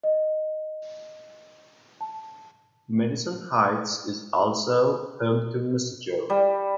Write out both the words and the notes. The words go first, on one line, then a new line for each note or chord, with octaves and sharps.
Madison Heights is also home to Moosejaw.
D#5
A5
G3